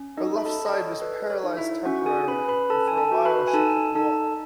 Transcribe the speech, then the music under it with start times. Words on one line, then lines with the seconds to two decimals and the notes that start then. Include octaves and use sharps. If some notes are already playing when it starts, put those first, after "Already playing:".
Her left side was paralyzed temporarily, and for a while she couldn't walk.
Already playing: C#4
0.17 D#4 A4 D#5
0.38 B5
0.45 A4 A5
0.60 A4
0.66 D#5
0.74 C#5
1.02 A4 B4
1.30 C#5
1.44 D#4
1.57 E4 E5
1.85 C#4 F#4 F#5
1.96 F#5
2.06 G#4 G#5
2.28 C#4 B4 B5
2.48 B4 B5
2.70 A4 A5
2.88 G#5
2.97 A4 A5
3.11 F#4
3.25 B4 B5
3.48 G#5
3.54 D#4 A4 A5
3.95 D#4 A4 A5